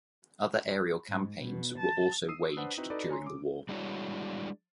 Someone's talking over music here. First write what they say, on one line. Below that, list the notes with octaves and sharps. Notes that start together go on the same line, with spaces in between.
Other aerial campaigns were also waged during the war.
G#2
B2
A5
D#6 E6 C7 D#7
D4 B4 C5 F#5
C4 D#4 E4 F#4 B4
D#4 F#4 A4 B4 D5 D#5
C#5 G#5 A#5 C6
D6
G3 G#3 D4 E4 F#4 C#5